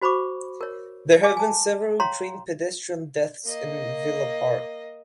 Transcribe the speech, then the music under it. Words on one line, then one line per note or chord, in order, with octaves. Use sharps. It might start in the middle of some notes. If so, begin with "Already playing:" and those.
There have been several train-pedestrian deaths in Villa Park.
F#4 C5 B5 C#6 D6
A#4 C#5
F5 G#5 D6
G#5 A5
C#5 F5 G5 A#5 C6
A#3 D#5